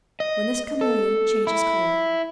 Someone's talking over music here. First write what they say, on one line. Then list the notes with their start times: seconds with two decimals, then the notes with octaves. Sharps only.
"When this camellia changes colour."
0.20 D#5
0.81 A4
1.47 E4